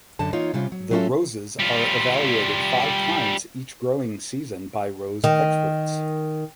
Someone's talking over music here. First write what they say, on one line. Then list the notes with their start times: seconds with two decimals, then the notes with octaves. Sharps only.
The roses are evaluated five times each growing season by rose experts.
0.19 F#2 D3 A5
0.33 E3 A#3 D#4 F4 C#5
0.54 C3 G3 C#4 F4
0.72 F#3
0.91 F#3 B3 C#4 F4 A4 E5
1.59 G3 F4
5.24 D#3